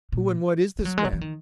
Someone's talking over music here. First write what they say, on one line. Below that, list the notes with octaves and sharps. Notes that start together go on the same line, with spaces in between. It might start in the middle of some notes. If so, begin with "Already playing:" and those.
"Who and what is this man?"
A#2
G#3
F#3
G#3
F#3
E3
D#3